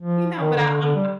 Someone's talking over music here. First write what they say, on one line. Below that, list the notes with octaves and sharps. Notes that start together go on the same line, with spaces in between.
You know, but I I'm
F3
D#3
D3
D3
D3
G3